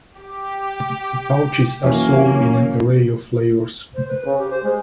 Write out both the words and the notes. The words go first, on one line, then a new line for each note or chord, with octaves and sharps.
The pouches are sold in an array of flavors.
G4
F#2 E3 A#3 C#4
C5
B4
C#3
G4
C5
G#3